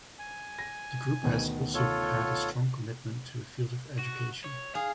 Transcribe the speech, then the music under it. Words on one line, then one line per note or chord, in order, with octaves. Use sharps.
The group has also had a strong commitment in the field of education.
G#5
A#6
D2 B2 D#3
F4 A4 C#5
F#4
C#5
G#4 F5